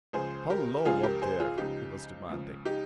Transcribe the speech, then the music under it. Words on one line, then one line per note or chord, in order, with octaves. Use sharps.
"Hullo, up there!" he was demanding.
C#2 C#3 F3 G#4 C5
G4 A#4
C#2 C#3 F3 F4 G#4
G4 A#4
G#4 C5
F4 G#4
C#2 C#3 F3 D#4 G4
C#2 C#3 F3
D#4 G4